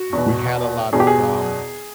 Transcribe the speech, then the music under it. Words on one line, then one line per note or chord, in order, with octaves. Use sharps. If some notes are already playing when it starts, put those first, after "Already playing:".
we had a lot of, um,
Already playing: F#4
E2 B2
E2 B2 G#4
G4
G#4